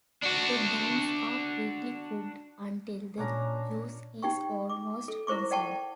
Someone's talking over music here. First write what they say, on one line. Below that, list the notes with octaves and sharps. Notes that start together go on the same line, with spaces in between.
The beans are quickly cooked until the juice is almost consumed.
D4 F#4
A#2 C#4 D4 A#5
D#4 G4 G5 C#6
D6
A4
E4 A#4 C5 C#6 D6
D5 F#5 G5 A5 C#6